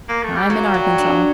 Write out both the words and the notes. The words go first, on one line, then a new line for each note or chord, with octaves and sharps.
I'm in Arkansas.
A#3
A3
G3
F#3 A#3
G3
D4